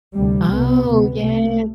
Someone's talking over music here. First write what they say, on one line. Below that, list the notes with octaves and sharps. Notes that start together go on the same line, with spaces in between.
Oh, yes.
D2 C3 G3
C2 C3 B3
D2 C3
C2 C3 A3